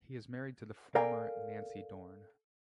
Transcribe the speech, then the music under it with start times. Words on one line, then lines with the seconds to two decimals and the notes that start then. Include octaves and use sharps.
He is married to the former Nancy Dorn.
0.95 A4 A#4 D5 F5 G5 G#5